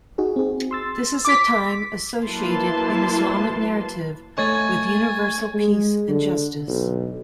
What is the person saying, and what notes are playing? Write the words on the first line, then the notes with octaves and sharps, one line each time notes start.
This is a time associated in Islamic narrative with universal peace and justice.
D#4 F#4 G#4
C4 G#4
C6 E6 A6
D6 B6
F#3 A#3 E4 B4 A5 C6
A3 C#5 D#5 G#5 C#6 G#6 A6
G#3
D3
B1